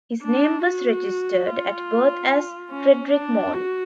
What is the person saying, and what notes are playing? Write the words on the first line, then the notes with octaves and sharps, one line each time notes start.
His name was registered at birth as Frederic Morley.
D4
F#4
F4
C#4
D4
F#4